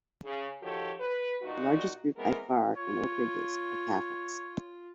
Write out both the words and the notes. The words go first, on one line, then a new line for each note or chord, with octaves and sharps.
The largest group by far in Oak Ridges are Catholics.
C#3
D#3 F3 F#4 G4 A4 C#5
B4
G2 A#2 D#4 F#4
E3 G#3 B3 C4 A#4
F4 C#5